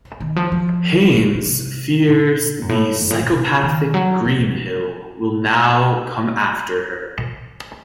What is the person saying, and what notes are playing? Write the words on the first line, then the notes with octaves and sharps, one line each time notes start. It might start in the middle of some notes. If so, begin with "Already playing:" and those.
Haines fears the psychopathic Greenhill will now come after her.
D#3
F3
F3
C#3
C#3
C3
A#2
F#2
A2
F#2
A2
A#2
C3
D#3
F#3
F3
F3